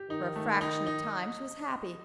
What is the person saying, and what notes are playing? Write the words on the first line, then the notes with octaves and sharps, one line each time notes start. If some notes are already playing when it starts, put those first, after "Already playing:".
For a fraction of time she was happy.
Already playing: G4
D#3 D#4
A3
D#4
D#4